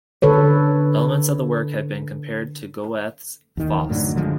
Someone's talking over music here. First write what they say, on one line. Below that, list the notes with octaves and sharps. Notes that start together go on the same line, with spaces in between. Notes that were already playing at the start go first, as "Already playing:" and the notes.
Elements of the work have been compared to Goethe's "Faust".
D3 A4 B4 C#5
D#2 D#3
F#2 A2 D3 F#3
D3 F3 G#3